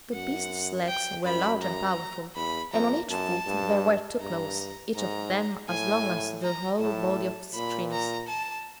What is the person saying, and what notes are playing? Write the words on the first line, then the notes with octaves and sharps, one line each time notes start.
The beast's legs were large and powerful, and on each foot there were two claws, each of them as long as the whole body of Citrinus.
F#2 F#5
G5
F#2 B5
A#5
E2 B5
F2 A#5
F#2 A5
G2
G2 A#5
G#2 A#5
A2 G#5
A#5
A2 A5
A#2 B5
A#5
A5